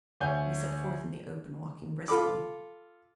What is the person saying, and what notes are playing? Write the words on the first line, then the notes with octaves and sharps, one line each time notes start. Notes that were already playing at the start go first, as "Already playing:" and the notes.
We set forth in the open, walking briskly.
D2 C#5 G#5 G6
F4 A4 B5 D6